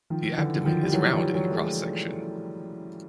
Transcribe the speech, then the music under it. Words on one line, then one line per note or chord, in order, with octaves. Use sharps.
The abdomen is round in cross section.
D#3 F3
D3 E3
D#3 F3
G3
E3 F#3
F3 G3
E3 F#3
A3
F#3 G#3